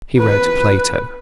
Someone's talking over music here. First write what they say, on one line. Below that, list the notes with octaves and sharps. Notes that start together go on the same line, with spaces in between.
He read Plato.
B4